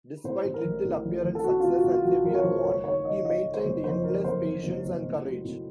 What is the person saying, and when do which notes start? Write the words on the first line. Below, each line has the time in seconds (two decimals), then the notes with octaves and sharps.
Despite little apparent success and severe want, he maintained endless patience and courage.
0.24 A2 C5
0.45 A2
0.54 A#4
0.65 A1
0.85 A2
1.05 A1
1.24 A1
1.35 A4
1.44 A2 F#4
1.60 A2 F4
1.75 F#4
1.84 A2
1.90 F4
2.04 A1 F#4
2.24 A1 A#4
2.35 C#5
2.44 A1 C5
2.64 F#1 C#5
2.84 D#3 C#5
3.05 D#3 D#5
3.24 D#3 D#5
3.45 D#3
3.54 C5
3.65 F#1
3.84 F2 C5
4.04 D#3 A#4
4.24 F#1 C5
4.45 F#1
4.64 F#1
4.85 F#1
5.05 A2
5.25 F#3
5.44 A2